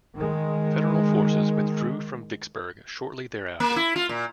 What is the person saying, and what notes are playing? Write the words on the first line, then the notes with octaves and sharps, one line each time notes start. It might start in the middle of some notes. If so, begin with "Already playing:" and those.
Federal forces withdrew from Vicksburg shortly thereafter.
D#3 G#3
A#3
E4
F4
A#2